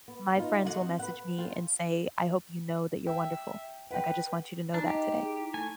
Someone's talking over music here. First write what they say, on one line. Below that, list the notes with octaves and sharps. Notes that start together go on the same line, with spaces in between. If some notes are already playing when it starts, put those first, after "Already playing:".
my friends will message me and say, "I hope you know that you're wonderful. Like, I just want you to know that today."
B3
B3 D#4 F4
D2 D3 D#4 F#4 G#4 F#5
C4
B4 F#5
F4 A4 G5
E5 G5
B4 F#5 G5
D4 D#4 A#5
G4 D#5
G#4
E4
A3 G#5